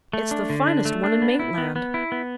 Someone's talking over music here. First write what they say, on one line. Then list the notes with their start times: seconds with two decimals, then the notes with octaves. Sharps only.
It's the finest one in Maitland.
0.13 A3
0.31 D4
0.50 D3
0.67 D4
0.85 A3
1.04 D4
1.22 B3
1.39 E4
1.58 B3
1.76 B3
1.94 E4
2.12 B3